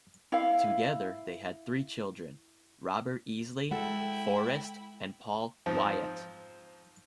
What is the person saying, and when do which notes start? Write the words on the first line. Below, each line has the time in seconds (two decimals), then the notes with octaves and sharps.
Together they had three children, Robert Easley, Forrest, and Paul Wyatt.
0.32 E4 F5
3.71 G#3 E4 A4 F#5 G5
5.66 G#2 F3 C4